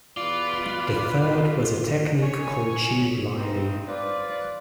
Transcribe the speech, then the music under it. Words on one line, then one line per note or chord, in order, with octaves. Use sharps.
The third was a technique called tube lining.
E2 B2 F4 B4 D5
C#5 G#5
G2 C4 D#4
F4 B4 C5 D5